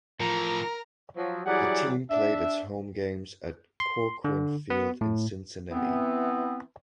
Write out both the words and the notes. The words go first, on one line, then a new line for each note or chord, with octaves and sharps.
The team played its home games at Corcoran Field in Cincinnati.
A2 E3 F3 A#4 A#5
F3 F#3
E3 F#3 G3 G#4 D5 F#5
D4 E5
C6
D3
B3
A2
E3 B3 C4